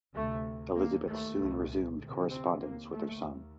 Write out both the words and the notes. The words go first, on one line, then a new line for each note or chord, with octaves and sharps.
Elizabeth soon resumed correspondence with her son.
D2 C3 A3
D#2 A#3
A3
C2 A#2
D2 C3
C4
D#2 A#3
A3
D#2